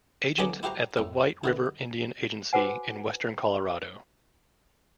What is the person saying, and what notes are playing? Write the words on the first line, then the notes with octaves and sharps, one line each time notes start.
Agent at the White River Indian Agency in western Colorado.
B1 B2 D3 G#4 C#5 D6
E4 F#4 G4 C5 A#5
F2 A2
B2 D3 E4
F#4 G#4 B4 C5 F#5 G#5